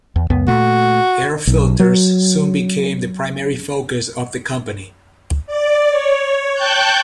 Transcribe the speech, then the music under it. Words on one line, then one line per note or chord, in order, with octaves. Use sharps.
Air filters soon became the primary focus of the company.
E2
C#2 F#2 B3
A#2 A3 F#4
B1
F#3
D5
C#5
G5 A5 C#6 F#6 G6